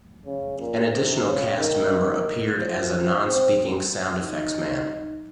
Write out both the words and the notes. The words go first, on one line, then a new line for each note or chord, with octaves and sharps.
An additional cast member appeared as a non-speaking sound effects man.
C#3
A#2
C3
C#3
D#3
F3
C4
D#4